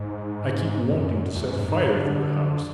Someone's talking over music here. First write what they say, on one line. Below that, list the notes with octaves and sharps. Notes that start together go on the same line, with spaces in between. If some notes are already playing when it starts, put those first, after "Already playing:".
I keep wanting to set fire to the house.
Already playing: G#2
F#2
E2
F#2
G#2
G#2
D3